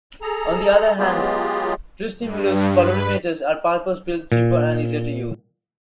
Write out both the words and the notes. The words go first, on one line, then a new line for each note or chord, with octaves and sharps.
On the other hand, tristimulus colorimeters are purpose-built, cheaper, and easier to use.
G#4 A4 A#5
F#3 G#3 B3 F4 G4 G#4
G2
B4
A#2